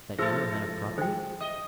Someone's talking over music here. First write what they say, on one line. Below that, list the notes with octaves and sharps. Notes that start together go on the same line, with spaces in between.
'That you are a man of property?'
F3 E4 G#4 A4 E6 A6 A#6
G#4 C5 G5
D#5 D#6